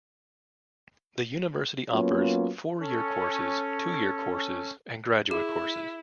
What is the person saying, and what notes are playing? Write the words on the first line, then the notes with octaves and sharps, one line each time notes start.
The university offers Four-Year Courses, Two-Year Courses, and Graduate Courses.
F#3 A#3 B3 C#4 F4
C#4 A4
E4 G#4